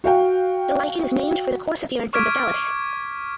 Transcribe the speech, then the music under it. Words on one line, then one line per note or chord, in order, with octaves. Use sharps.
The lichen is named for the coarse appearance of the thallus.
F#4 F5 G5
C#6 D6 F6 G#6 B6 D7